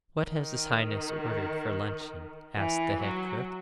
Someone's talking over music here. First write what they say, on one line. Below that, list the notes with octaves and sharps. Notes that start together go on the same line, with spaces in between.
'What has his highness ordered for luncheon?' asked the head cook.
D#3
E3
F#3